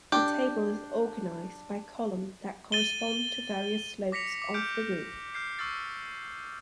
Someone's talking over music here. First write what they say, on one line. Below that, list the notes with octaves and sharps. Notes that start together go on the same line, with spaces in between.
The table is organized by columns that correspond to various slopes of the roof.
D4 G4
A6 D#7 G7
D6 A#6 B6 C#7 F7
D6
D6 F6 G6 D7
F6 G6 C7
C#6 E6 F6 A6 C7